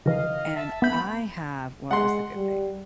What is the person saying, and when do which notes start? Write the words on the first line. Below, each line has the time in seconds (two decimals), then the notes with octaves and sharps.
and I have Well, it was a good thing.
0.06 C#3 E3 D#5 F5
0.55 E5 A5
0.82 B3 B5 G6
1.91 G#3 F#5 C6
2.36 G3